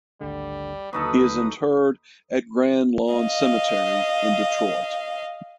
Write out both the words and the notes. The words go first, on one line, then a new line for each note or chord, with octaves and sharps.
He is interred at Grand Lawn Cemetery in Detroit.
G#1 D2 D3 G3
D#2 D3 F#3 A#3 D#4 A4 B4 D#6
D#5 F5